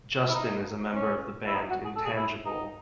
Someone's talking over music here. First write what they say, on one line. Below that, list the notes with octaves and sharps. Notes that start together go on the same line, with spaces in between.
Justin is a member of the band Intangible.
E4
D#4
C#4
E4
D#4
F#4
G#4
A4
G#4
E4
D#4